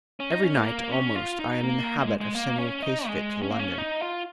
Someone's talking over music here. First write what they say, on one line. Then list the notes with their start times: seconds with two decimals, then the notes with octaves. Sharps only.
Every night almost I am in the habit of sending a case of it to London.
0.20 C#4
0.31 D#4
0.43 C#4
0.56 A#3
0.91 C#4
1.15 F4
1.39 D#4
1.63 A#3
1.99 A#3
2.06 G#3
2.21 G#3
2.35 A#3
2.58 C#4
2.82 D#4
3.07 G#3
3.42 C#4
3.51 A#3
3.59 C#4
3.78 D#4
4.02 F4